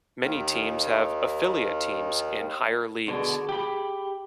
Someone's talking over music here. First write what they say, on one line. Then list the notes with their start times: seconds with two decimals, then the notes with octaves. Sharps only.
Many teams have affiliate teams in higher leagues.
0.24 D#2 D#3
3.08 B2 D3 G#4 D6
3.49 G4 B5